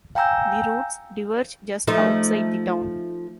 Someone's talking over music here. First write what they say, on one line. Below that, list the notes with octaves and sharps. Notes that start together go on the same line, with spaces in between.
The routes diverge just outside the town.
F5 G5 G#5 A#5 E6 G6
F3 A3 D#4